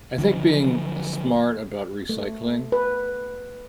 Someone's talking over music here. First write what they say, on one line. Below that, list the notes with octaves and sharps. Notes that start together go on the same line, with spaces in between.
I think being smart about recycling,
D3 F3 F#3
A3
B4